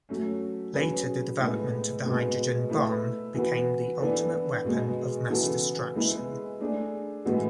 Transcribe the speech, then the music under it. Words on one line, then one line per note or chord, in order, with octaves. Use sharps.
Later, the development of the hydrogen bomb became the ultimate weapon of mass destruction.
F#3 A3 C#4
F#3 C#4 G#4 B4
A2 G#3 B3
B2 G#3 B3
A3 E4 B4
E3 B3 F#4 B4
E3 B3 D4 A4
B2 G#3 B3
C#3 E3 B3 F#4 A4
G#3 B3 E4 B4
A3 D4 G#4
A2 E3 G#3 B3 F#4